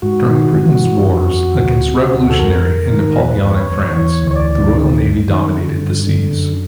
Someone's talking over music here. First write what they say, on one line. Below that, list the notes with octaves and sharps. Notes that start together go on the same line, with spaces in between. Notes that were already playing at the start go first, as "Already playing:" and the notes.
During Britain's wars against revolutionary and Napoleonic France, the Royal Navy dominated the seas.
G#2 F#4
D#3
F#4
G#2
E3
F2
F2
D2
C3
D2
A4
F2 A#4
F2
D#3
E2 B4
E2
C#5
E2
E3 C#5
D2
C#5
D5
D2
D#3
G2
D#3
D3
G2
D3
F#2